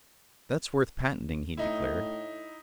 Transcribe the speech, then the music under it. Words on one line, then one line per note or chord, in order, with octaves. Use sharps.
"That's worth patenting," he declared.
A2 D#4 E4